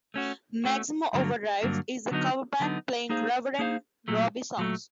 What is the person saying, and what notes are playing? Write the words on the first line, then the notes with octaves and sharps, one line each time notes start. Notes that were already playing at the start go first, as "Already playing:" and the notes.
Maximum Overdrive is a cover band playing Rubberen Robbie songs.
A3 C#4 F#4
A3 C#4 F#4
G2 D3 F#3 A#3
G2 D3 F#3 A#3
D3 F#3 B3 D#4
D3 F#3 B3 D#4
A#3 D#4 G#4 C5 F5
A#3 D#4 G#4 C5 F5
A#2 F#3 A3
A#2 F#3 A3